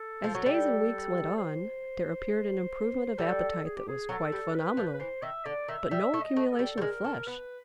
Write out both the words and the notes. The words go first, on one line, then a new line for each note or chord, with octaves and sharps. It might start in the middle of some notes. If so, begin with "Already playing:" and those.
As days and weeks went on, there appeared an improvement of appetite that was quite phenomenal, but no accumulation of flesh.
Already playing: A4
F3
F#3
G3
C5
G3 A4
G#4
G4
G#4
F#3 A4
G3
B4
F3
B4
E3 C5
D#3 E5
D3 D5
D#3 E5
G3 E5
A3
D#5
A3
A4
G3
G3
G#3 A#4
A3
B3 B4